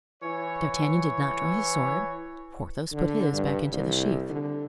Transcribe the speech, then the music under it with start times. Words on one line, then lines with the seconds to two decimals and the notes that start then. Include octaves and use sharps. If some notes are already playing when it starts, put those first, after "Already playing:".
D'Artagnan did not draw his sword; Porthos put his back into the sheath.
0.22 E3 C#5
2.92 D3
3.32 G2
3.72 C2
4.30 D3